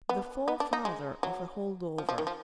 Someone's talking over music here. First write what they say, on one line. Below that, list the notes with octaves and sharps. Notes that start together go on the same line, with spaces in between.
The forefather of a hold-over.
B3
B3
D4
D#4
G#3
F#3
F3
F3
D#3
F3